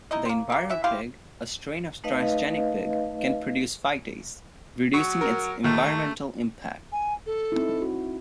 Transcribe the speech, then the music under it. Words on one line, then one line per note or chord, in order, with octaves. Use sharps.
The Enviropig, a strain of transgenic pig, can produce phytase, reducing its environmental impact.
D#4 E4 D#5
A#3 C4
A#3 G4
E3 E5
E4 G4 F5 C6
A3 D#4 B4 D#5 F5
F#3 C#6
A#4
D#2 A3
G#5
A4
C4 D#4 E4
F#4